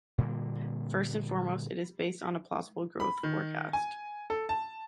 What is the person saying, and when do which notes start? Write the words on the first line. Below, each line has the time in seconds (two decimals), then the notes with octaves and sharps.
First and foremost, it is based on a plausible growth forecast.
0.18 A#2 D3 G3 A#3
3.00 B5
3.23 D#3
3.73 G#5
4.30 A4
4.49 A5